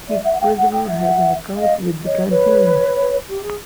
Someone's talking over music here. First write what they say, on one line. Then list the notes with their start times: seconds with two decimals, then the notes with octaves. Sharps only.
Each prisoner has an account with the canteen.
0.08 D5 E5
0.25 E5 F#5
0.41 F5 G5
0.57 F#5
0.71 G5
0.85 E5 F#5
1.56 D#5 F5
2.06 C#5 D#5
2.30 B4 C#5
3.29 G4
3.42 G#4